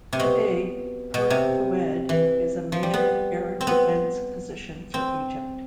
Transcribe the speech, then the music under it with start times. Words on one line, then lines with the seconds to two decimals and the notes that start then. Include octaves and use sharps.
Today Port Fouad is a major Air Defence Position for Egypt.
0.13 C3
0.20 B2
1.14 B2
1.30 C3
2.09 E3
2.72 F3
2.83 G3
2.94 B3
3.61 C4
3.67 B3
4.94 C4